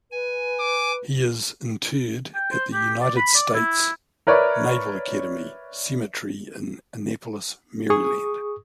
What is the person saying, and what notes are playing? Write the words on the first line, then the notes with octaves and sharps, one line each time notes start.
He is interred at the United States Naval Academy Cemetery in Annapolis, Maryland.
B4 G#5
D6
G5
C5
G4
D5
B5
D5
E4
A#4 B4 C#5 D5 E5
G#4 C#6 D#6